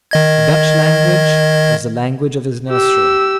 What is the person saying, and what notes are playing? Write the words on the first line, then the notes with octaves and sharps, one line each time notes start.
The Dutch language was the language of his nursery.
D#3 D#5 G#6
G4 E6